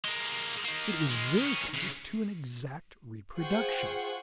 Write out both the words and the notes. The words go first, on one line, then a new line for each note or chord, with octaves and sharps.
It was very close to an exact reproduction.
G#3 A#3
D#3 A#3
D#3 G#3
D#3 C#4
C#3 E3
F4 G#4 C5 F#5 G5 C#6